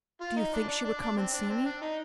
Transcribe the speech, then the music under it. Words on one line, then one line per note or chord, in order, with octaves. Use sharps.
"Do you think she would come and see me?"
F4
D#4
D4
D4
D4
D4
C4
D4
C4
D4
D#4